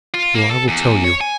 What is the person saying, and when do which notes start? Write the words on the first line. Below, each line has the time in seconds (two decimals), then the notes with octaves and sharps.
Well, I will tell you.
0.14 F4
0.35 A#3
0.49 A4
0.68 E2
1.04 C#5
1.21 G#5